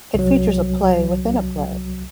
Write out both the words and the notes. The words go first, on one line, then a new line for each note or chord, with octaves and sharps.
It features a play within a play.
C2 F#3